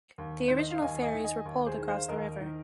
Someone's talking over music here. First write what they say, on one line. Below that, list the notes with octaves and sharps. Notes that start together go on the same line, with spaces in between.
The original ferries were poled across the river.
D#2
D#3 C5
D#5
F5
D#2 D#5 G#5
D#5 G#5
D#3
D#5 G#5
D#2
G#4 C5
D#3
C5 F5
D#2 A#4 D#5
D#3